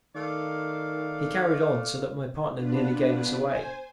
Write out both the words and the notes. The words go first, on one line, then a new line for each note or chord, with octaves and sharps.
He carried on so that my partner nearly gave us away.
D#3 A3 D5 F5
B3 D4 F4 B4
C5 G#5